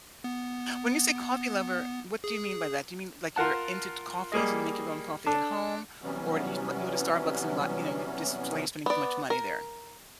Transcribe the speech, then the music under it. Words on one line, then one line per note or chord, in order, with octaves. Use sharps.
When you say coffee lover, what do you mean by that? Do you mean, like, you're into into coffees and you make your own coffee at home, or you s uh, you go to Starbucks and buy you know, you just it's like you're spending too much money there?
B3
G#4
F4 A#4 F#5 A5
G3 A#3 G#4 D#5
D4 A4
C3 E3 F#3 G3 B3 C#4
B3 D5
A#4